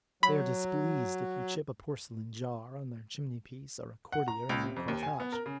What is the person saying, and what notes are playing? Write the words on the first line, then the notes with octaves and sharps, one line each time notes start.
They are displeased if you chip a porcelain jar on their chimney-piece or a courtier in their cortege.
F#3 B5
F#5
A#5
C#2
C3
F2
D#2
G#5
B3
A#4
C#3